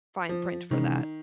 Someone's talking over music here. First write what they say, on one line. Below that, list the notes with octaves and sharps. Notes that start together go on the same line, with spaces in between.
fine print for that.
F3
C3 D#3 E3 G#3 C#4